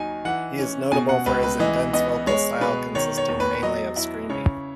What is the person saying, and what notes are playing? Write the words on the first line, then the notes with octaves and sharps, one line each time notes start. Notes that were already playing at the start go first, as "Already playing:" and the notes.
He is notable for his intense vocal style, consisting mainly of screaming.
Already playing: D#2 F#3 D#4 G#5
E3 F#5
C#4
B2 G#5
F#5
C#2 B4
B4
E3 D#5
B3 D#5
G#3 C#5
B2 B4
D#3 C#5
C#5
E2
B4
F#3 D#5
E4
C#3 C#5